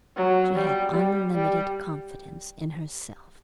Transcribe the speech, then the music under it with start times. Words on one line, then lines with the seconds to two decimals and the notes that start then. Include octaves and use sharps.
She had unlimited confidence in herself.
0.17 F#3
0.56 G3
0.94 G3
1.34 G3